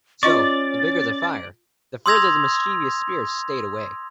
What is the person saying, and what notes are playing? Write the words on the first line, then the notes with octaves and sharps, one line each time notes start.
So, the bigger the fire, the further the mischievous spirits stayed away.
C#4 F4 D5 D#5 C#6 A6
C6 D#6 E6 G#6 A#6 F7